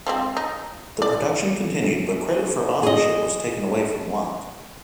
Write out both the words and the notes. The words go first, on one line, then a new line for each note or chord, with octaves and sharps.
The production continued but credit for authorship was taken away from Wilde.
F3 G#3 C4
D#4
D5
G#4 D#5